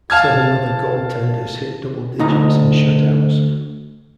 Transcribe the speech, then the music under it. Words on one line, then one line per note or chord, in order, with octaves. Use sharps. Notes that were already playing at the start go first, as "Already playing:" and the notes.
Seven other goaltenders hit double digits in shutouts.
F5 A5 F6 G#6
D2 D#4 A#5